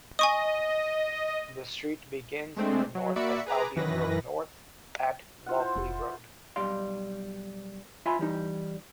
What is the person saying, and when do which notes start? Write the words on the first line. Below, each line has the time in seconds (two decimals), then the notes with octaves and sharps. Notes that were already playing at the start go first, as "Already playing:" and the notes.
The street begins in the north as Albion Road North, at Walkley Road.
0.19 D#5 G#5 C#6 D#6
2.57 G#3 A3 C4 D4
2.95 F#3
3.16 A#3 F#4 D5 E5 B5 C#7
3.46 G#4 B4 A#5 D6
3.76 F#2 D#3 E3 B4 A#6
5.46 E4 F4 F#5
5.60 C5
5.76 F1
6.56 B1 G3 D5 F5 C6
8.06 F4 E5 F5 G#5 B5 C6
8.19 E3 G3 D#4